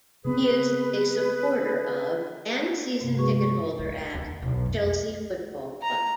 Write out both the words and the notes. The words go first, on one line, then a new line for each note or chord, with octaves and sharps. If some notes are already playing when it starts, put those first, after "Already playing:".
He is a supporter of, and season ticket holder at, Chelsea football club.
C#3 B3 C4 G#4 B4
G2 C3
G#3 F#4 G#4 B4 C#6
A3
D#2
B1
F2
A#5